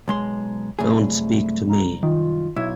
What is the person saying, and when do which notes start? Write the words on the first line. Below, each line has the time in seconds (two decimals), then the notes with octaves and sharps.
Don't speak to me.
0.08 B1 G#3 C6
0.79 C2 F#2 A3 G#4
1.69 A#5
2.03 D#3 F4
2.56 B1 E4 G#6